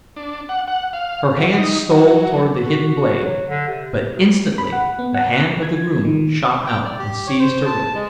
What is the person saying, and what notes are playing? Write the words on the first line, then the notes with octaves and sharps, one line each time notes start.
Her hand stole toward the hidden blade, but instantly the hand of the groom shot out and seized her wrist.
D4
F#5
F#5
F5
F#3
D#4
F#3
F#4
F#3
D3
C3
D2
B5
F#5
B3
F#5
G#6
D#3
G5
D5
G4
C#5
C5
A5
G#3